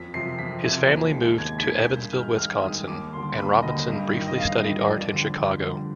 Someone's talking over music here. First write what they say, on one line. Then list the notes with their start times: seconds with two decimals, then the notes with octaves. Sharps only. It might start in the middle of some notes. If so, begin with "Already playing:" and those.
His family moved to Evansville, Wisconsin, and Robinson briefly studied art in Chicago.
Already playing: F2 B6
0.14 C3 F3 C7
0.39 F2 B6
0.64 C3 F3 G#6
0.88 D#2
1.13 D#3 G#3
1.38 D#2 G#6
1.59 B6
1.63 D#3 G#3 G#6
1.88 G2 G6
2.13 D#3 G#3 F6
2.38 G2 F6
2.63 D#3 G#3 D#6
2.88 D#2 D6
3.13 D3 G3 C6
3.38 D#2 B5
3.62 D3 G3 D#5
3.88 G2
4.13 D#3 G3
4.28 D#5
4.38 G2 F5
4.62 D#3 G3 D#5
4.87 F2 D5
5.12 D3 G3
5.38 F2
5.62 D3 G3